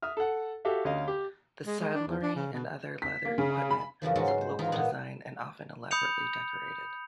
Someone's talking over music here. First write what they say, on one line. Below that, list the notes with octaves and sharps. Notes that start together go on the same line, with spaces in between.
The saddlery and other leather equipment was of local design and often elaborately decorated.
E5 D#6 F6
A4 F#5
F#4 G4 A4 E5 F5
D2 C#4 D#5 F5
G4
G#3
G#3
D4
E2
D4
C#3
B2
B6
A#3
C#3
B5
F#2 C#3 E3 F3
G#2 F#3 G#3 C#4 F#4
C6
C5
E3 F4 G#4 D#5 A#5
A#2 B3
B5 D#6 G6 C#7 F7